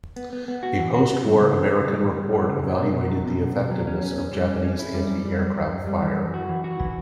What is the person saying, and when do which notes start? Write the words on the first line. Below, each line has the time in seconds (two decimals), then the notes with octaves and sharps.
A postwar American report evaluated the effectiveness of Japanese anti-aircraft fire.
0.16 B3
0.33 B3
0.48 B3
0.63 F#4
0.79 E3
0.94 F#4
1.09 B3
1.24 G2
1.40 C#3
1.56 E3
1.71 C#3
1.86 G3
2.02 E3
2.17 G3
2.33 G3
2.48 C#3
2.64 F#3
2.79 B2
2.94 B2
3.10 F#3
3.26 B2
3.41 B2
3.56 B2
3.71 F#3
3.87 C#4
4.02 C#4
4.18 C#4
4.33 G3
4.48 C#4
4.64 C#4
4.79 E4
4.94 G3
5.10 F#2
5.25 G3
5.41 F#2
5.56 F#2
5.71 F#2
5.87 G3
6.02 E3
6.18 F#2
6.34 F#4
6.49 E3
6.64 F#4
6.79 E3